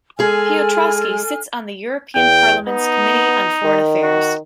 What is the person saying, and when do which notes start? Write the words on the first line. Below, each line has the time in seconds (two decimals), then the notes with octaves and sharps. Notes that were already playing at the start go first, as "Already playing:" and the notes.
Piotrowski sits on the European Parliament's Committee on Foreign Affairs.
0.19 G#3 G#4 A4 G#5 F6
2.15 E2 G5
2.67 B3 D#4
3.65 D#3
4.03 F#4